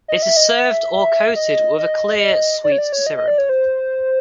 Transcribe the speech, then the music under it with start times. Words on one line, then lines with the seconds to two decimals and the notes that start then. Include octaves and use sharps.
It is served or coated with a clear, sweet syrup.
0.08 D#5
0.22 E5
0.37 D#5
0.50 E5
0.93 E5
1.36 D#5
1.79 D#5
2.64 D5
2.72 C#5
2.78 D5
2.93 C#5
3.07 D#5
3.17 D#5
3.28 D5
3.38 C#5
3.49 C5